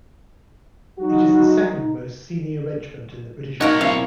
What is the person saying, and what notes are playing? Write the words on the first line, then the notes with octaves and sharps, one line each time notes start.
It is the second-most senior regiment in the British Army.
F#3 D#4 F#4
B1 D#4 F#4 A#4 C#5 F#5
C4 E4 F5